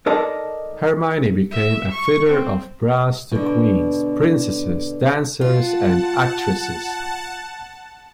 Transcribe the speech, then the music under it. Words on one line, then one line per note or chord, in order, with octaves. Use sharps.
Herminie became a fitter of bras to queens, princesses, dancers, and actresses.
D#4 A4 A#4 D5 D#5 A5
E5
C#6
C4
B2 D3
F4 F#5 A5